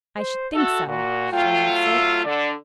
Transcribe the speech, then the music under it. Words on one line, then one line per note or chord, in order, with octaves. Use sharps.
"I should think so," she answered.
C5
F#4 A4 E5
A#2 F#4
F#3 A3 F4 G5
E5
D3 D5